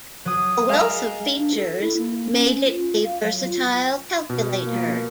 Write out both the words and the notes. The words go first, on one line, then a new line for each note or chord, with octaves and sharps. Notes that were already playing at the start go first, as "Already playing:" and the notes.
A wealth of features made it a versatile calculator.
F#3 D#6
G#3 A#4 F5
D4
A4
E4
A#3
C#4
F4
F5
F#3
F4
B2
F3 A#3